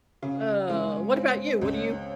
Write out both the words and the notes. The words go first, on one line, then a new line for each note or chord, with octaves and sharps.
Uh, what about you? What do you
C#3 F5
G#3 C#5
C#5
C4 C5
D#5
C#2
C#5